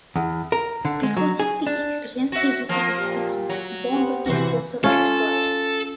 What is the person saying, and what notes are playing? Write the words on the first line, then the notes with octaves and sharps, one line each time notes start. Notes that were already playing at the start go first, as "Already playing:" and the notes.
Because of this experience he decided to become a bomb disposal expert.
E2
A#4
D3
G#3
F#3
G#4
D4
F#4 E5
F3 A#3 C4
A#2 G4
F#3
B3 C4 G4
C3 E3 F#4 C5
C#4 F4 A4